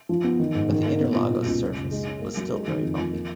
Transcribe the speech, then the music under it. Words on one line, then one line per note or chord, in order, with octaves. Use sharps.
But the Interlagos surface was still very bumpy.
F3
B3
D#3
G#2
D#3
A#3
B3
A#2
B2
C#2
C#3
F#1
G#3
C#4
A#3
F#3
G#3
D#3
F2
F3
A#3